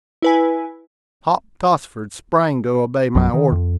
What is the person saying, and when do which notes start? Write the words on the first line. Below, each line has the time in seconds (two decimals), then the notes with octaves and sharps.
Hop Tossford sprang to obey my order.
0.22 E4 B4 G#5
3.15 A#1 F#2 F#3
3.34 D#3
3.52 F2